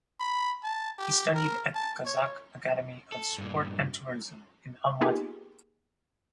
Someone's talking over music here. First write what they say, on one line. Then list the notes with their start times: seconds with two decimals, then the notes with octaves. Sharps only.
He studied at the Kazakh Academy of Sport and Tourism in Almaty.
0.20 B5
0.63 A5
0.98 G4
1.34 A#4
1.74 A5
2.05 C#5
3.12 A4
3.38 G2 A#2
5.01 A#3 B3 D#4 F4 G4 G#4